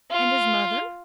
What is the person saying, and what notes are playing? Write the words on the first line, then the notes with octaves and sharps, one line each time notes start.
"And his mother?"
F4